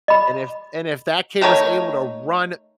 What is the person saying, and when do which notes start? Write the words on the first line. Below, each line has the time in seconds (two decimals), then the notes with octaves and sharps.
and if And if that kid was able to run
0.08 D#5 B5
1.41 D#3 A3 D#4 C#5